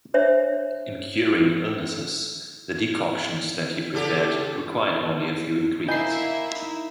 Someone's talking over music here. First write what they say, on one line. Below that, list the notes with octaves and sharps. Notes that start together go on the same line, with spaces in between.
In curing illnesses, the decoctions that he prepared required only a few ingredients.
D4 C5 C#5 E5
C#3 G4 A4
A#3 E4 D#5 E5 G#5 B5 G6 C7
D#4